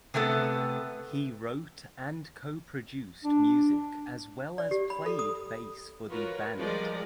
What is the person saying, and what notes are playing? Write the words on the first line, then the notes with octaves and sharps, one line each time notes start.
He wrote and coproduced music as well as played bass for the band.
C3 A3 B3 A4
D4
D5
G4
B5
A4
D#6
F4 F#4 A#4 B4 C#5
F3 G3 G#3 A#4 D5 D#5